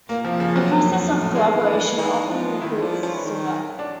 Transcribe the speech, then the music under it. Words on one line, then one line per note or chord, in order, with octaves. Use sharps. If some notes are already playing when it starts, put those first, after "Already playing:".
The process of collaboration often improves the work.
A#2 A#3
C3 F3
C#3 F3
C3 F#3
F#2
F#2
F2
A2
D3 G#3
D#3
E3
D4
E3
E3 D#4
F3
D#3 E4
F3 D4
F3 C#4
E3
D#3
D4